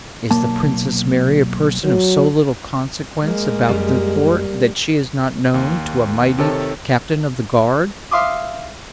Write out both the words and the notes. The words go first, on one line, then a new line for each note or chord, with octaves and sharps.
"Is the Princess Mary a person of so little consequence about the court that she is not known to a mighty captain of the guard?"
B1 A#3 A5
F#3
G#3 A#3
F#2 G3
D#2
C3 D#3 A4 C#5 A5
E5 F5 C6 D6 D#6